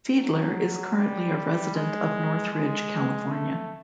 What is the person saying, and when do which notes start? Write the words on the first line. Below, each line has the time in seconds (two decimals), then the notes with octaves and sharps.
Fiedler is currently a resident of Northridge, California.
0.17 F#3
0.96 G3
1.74 G#3
2.53 G#3
3.31 A3